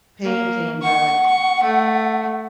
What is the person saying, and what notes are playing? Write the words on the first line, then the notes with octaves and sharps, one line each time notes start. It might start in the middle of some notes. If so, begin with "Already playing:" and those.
painting, but,
A#3
F#5 C#6
C#6
A3